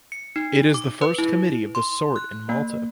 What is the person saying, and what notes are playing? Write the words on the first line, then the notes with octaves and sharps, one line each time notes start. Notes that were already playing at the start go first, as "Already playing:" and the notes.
It is the first committee of the sort in Malta.
C#7
D#4
D6
B4
E4
C6
F#6
A#3